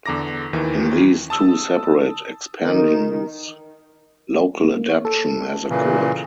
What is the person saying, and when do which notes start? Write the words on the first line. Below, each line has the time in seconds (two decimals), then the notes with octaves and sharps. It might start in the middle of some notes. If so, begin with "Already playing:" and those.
In these two separate expansions local adaptation has occurred.
0.06 E2 D3 A#5 D6 A#6
0.53 D#2 D#3 E3
1.30 A5 D#6 E6
2.64 D#3
4.64 A#3
4.89 C#5
5.05 A4
5.69 A#2 C#3 E3